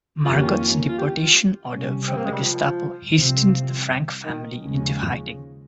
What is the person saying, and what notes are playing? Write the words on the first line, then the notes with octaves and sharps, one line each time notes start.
Margot's deportation order from the Gestapo hastened the Frank family into hiding.
F2 D#3 A#3 C#4 F4
G4
F4
F4
F4
G4
F4
C2 C3 G3 C#4
C4
A#3
G#3
G3
F3
C2 C3 F3 C4
D#3
D#2 C#3 F3 G#3 C#4